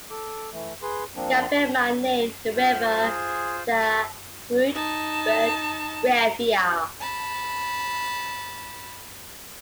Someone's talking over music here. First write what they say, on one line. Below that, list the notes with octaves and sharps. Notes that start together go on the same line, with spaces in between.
Gabbema named the river the 'Groot Berg Rivier'.
A4 D6
E3 A3
G#4 B4 C6
F3 A#3 C4 D4
F4 C5
G#4
D#4 A5
A5 B5